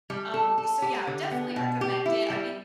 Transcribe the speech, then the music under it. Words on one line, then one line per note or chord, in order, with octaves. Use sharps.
Uh, so yeah, I would definitely recommend it. I mean,
G3
A4
A4
G4
D3
B3
B2
G4
E4
G3